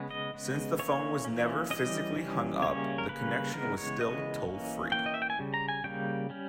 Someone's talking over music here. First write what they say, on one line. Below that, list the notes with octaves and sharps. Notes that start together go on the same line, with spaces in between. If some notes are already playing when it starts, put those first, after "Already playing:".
Since the phone was never physically hung up, the connection was still toll-free.
Already playing: C#3 G#3 B3
D#5
C#3 G#3 B3
E3 A#3 C#4 C#5
E3 A#3 C#4
E3 G3 C#4 D#5
E3 G3 C#4
C#3 G3 A#3 C#4 C#5
A#4
C#3 G3 A#3 C#4 B4
C#3 E3 G#3 B3 A#4
C#5
C#3 E3 G#3 B3 D#5
E3 A#3 C#4
E3 A#3 C#4 G5
D#5
E5
G5
G#5
C#3 G3
A#5
G#5
C#3 G3 A#3 G5
G3 C#4